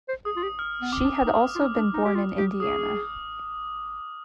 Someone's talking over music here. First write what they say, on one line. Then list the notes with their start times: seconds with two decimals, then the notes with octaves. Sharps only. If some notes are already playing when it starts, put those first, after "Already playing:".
She had also been born in Indiana.
0.08 C5
0.25 G#4 D#6
0.36 F4
0.43 G4
0.59 F6
0.81 B3
0.92 C4 D6
1.04 D4
1.09 C4
1.26 D#4
1.55 F4
1.60 D#4
1.76 D4
1.93 D#4
2.05 G4
2.15 F4
2.38 G4
2.60 G#4 D#6